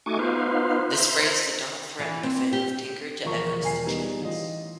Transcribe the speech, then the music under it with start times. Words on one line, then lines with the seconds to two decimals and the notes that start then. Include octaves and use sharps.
This phrase did not threaten the fame of "Tinker to Evers to Chance".
0.06 A3 D#4 F#4 G#5 C#6 D6
0.19 B3 D#4 F4 B4 C5 F5
0.92 C5 E5 A#5 C6
1.99 E3
2.23 C4
2.53 G4
3.24 E1 F3 A#4 C#6
3.62 E1 A#4 G#5 C7
3.86 G3 B3 D#4 G#4
4.21 A1 F4 D#5